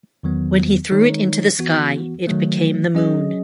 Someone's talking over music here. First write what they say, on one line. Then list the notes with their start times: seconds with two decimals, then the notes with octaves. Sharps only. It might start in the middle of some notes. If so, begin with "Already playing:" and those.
When he threw it into the sky, it became the moon.
0.23 E2 D#3 F#3 B3
0.92 D#3 G#3 D#4 A4 C#5
1.59 E3 B3 F#4
2.27 D#3 F#3 A3
2.95 F#3 C#4 G#4 D#5